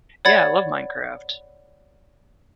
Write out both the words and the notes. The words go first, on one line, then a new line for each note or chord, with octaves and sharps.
Yeah, I love Minecraft.
C#5 D5 F#5 B5 G#6 A6